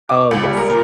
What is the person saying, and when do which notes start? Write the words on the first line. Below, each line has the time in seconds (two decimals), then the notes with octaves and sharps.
Oh, yes.
0.09 D6
0.31 C#2
0.43 G3
0.57 A#4
0.70 A#2